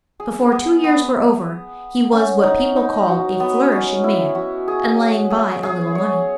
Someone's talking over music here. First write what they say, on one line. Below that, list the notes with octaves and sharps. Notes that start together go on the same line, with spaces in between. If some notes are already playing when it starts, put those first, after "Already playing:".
Before two years were over, he was what people call a flourishing man, and laying by a little money.
G#4
B3
B3
C#4
D#4
D#4
F#4
B3
C#4
E4
F#4
G#4
G#4
G#4
C#5